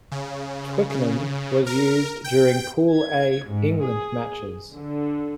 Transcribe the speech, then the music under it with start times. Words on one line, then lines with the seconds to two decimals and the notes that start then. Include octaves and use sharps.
Twickenham was used during pool A England matches.
0.12 C#3
0.90 C#3
1.66 A#4
2.24 G5
2.93 G#6
3.48 G#2
3.83 G#4
4.72 D3